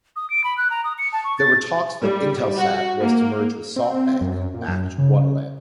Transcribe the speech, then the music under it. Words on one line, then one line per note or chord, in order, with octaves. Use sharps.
There were talks that Intelsat was to merge with Softbank-backed OneWeb.
D#6
D7
B5
F#6
A#5
D#6
C#7
A5
C#6
A6
G3
F#4
A#3
C4
F#2
A#2
F#2
C#3